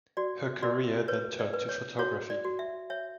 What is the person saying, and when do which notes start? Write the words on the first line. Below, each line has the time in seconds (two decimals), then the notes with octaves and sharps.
Her career then turned to photography.
0.17 F#4 D5
0.63 F#4 D5
1.08 B4 C#5
1.39 D5
1.53 B4
1.69 C#5
1.99 F#4 C#5
2.30 D5
2.45 F#4
2.59 E5
2.90 C#5 E5